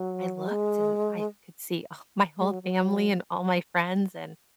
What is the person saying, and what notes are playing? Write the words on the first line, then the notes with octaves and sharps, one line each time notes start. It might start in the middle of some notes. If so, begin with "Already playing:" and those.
I looked, and I could see, ugh, my whole family and all my friends, and,
Already playing: F#3
G#3
G#3
F#3
F#3